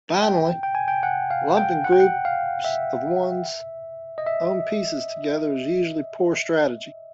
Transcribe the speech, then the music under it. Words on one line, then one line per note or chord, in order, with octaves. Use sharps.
Finally, lumping groups of one's own pieces together is usually poor strategy.
G5
G5
G#5
G5
F#5
F5
G5
F#5
G5
F#5
F5
E5
D#5
E5